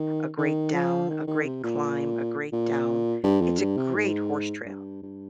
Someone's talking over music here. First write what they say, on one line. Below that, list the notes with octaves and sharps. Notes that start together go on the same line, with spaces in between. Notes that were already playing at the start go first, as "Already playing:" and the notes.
a great down, a great climb, a great down. It's a great horse trail,
Already playing: D#3
D#3
F3
D#3
D#3
C3
A#2
A#2
G2
F2
G2
C3
G#2
G2
G2